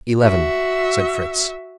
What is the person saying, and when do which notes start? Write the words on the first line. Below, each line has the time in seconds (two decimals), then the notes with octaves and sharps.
"Eleven," said Fritz.
0.22 F#4 E5